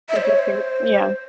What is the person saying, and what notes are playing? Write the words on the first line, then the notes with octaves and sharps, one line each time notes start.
Would you agree with yeah.
E5
C5
C#5
C5